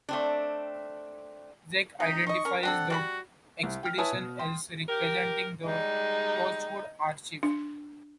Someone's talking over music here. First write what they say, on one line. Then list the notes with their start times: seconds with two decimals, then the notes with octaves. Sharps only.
Zack identifies the expedition as representing the Torchwood Archive.
0.09 A3 C4 D4
2.00 C3 D#4
2.27 D#4 D#5 C#6
2.45 C#4 A#4
2.63 C4 D4 A4 F#5
2.90 G3 F#4 B4 B5
3.63 C2
3.83 G5 F6
3.98 E4 B4 C#5 G#5 A5 D#6
4.12 B2
4.39 G5 C6
4.89 G4 A#4
5.66 G3 G#3 D#4
7.43 D4